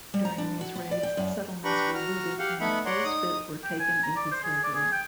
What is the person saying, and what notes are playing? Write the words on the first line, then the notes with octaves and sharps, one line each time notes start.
During these raids, settlements were looted and those fit were taken into slavery.
G3
A#5
D4
F#4
B3
D5
G5
F#2
D4 G4 B4 A#5 B5 C#6
F#4 A#5 F6
G4 F5 F#5
A3 B3 D#4 E5 F#5 B5
C#5 D5 F#5 A#5 C6
D#4 D#6
G5
G#5
A#5
D5
C5
G#4
D5
G#4
G5